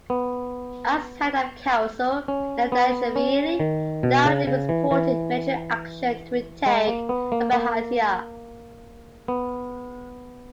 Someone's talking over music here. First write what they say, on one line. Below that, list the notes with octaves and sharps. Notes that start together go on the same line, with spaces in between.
As head of the Council, Nadareishvili loudly supported military action to retake Abkhazia.
B3
C#4
B3
C#4
D#3
B2
C#3
C#3
E3
E3
G#3
A#3
B3
A#3
A#3
B3